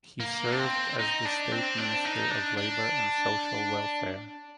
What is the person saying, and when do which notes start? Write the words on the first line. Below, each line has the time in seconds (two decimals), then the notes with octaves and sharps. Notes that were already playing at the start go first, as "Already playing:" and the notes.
He served as the State Minister of Labor and Social Welfare.
0.20 A#3
0.52 D4
0.59 C4
0.99 D#4
1.25 D4
1.52 C4
1.78 D4
2.05 D#4
2.30 D4
2.58 D4